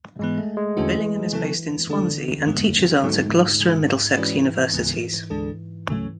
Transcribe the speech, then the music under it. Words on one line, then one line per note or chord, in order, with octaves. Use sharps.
Billingham is based in Swansea and teaches art at Gloucester and Middlesex universities.
G#2 E3 G#3 B3
A3
G#3
E2 D3 E3 A3 C#4 F#4
C#3 F#3 B3 E4 A4
D3 G#3 D4 A4
G#2 G#3 B3
G#2 F#3 B3 F#4 A4
C#3 E3 G#3
E3 G#3 C#4 F#4 B4 D5
D2 C#3 G#3 B3
D2 D3 G#3 D4 A4
D2 C#3 F#3 A3 C#4